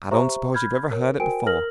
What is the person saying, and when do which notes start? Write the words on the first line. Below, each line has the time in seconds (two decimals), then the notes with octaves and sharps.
"I don't suppose you ever heard it before."
0.11 G4 C5 E5 A#5 C#6
0.54 B5 F6 G6 G#6
0.91 A#4 C#5
1.20 F#4 A#4 C5 G5 G#5 D7
1.46 A#4 F6 A#6 F#7